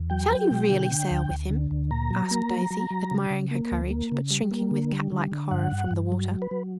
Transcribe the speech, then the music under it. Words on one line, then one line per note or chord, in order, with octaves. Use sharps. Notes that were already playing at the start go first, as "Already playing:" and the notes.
'Shall you really sail with him?' asked Daisy, admiring her courage, but shrinking with cat-like horror from the water.
Already playing: E2
F#3 G5
F#3
B2
D3
D3
D2
D2
D3
D2
A#2 A#5
F#3
A#3
F#3
F#3
F#3
C#3
C#3
A#3
D2
A#3
C#3
G3
A#3
D3
G3
D3
D3
G2 F#5
G2
G2
F#3
F#3
B4
F#3